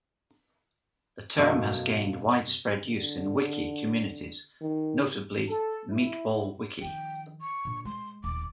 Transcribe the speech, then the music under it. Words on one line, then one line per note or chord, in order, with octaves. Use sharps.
The term has gained widespread use in wiki communities, notably MeatballWiki.
F#2 B2 A3 D#5 F5
D3
D#3
A4
E4
D#3 F3 G5
C#6
A#2 D3
G#3 C6
D#1 D6